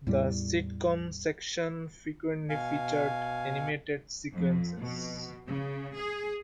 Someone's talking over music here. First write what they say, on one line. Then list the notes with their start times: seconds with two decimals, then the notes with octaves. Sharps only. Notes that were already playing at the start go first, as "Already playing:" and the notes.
The sitcom section frequently featured animated sequences.
0.07 E2 A2 G3
2.49 B2 F5 G#5
4.34 F2
4.80 B2
5.48 C#3
5.97 G#4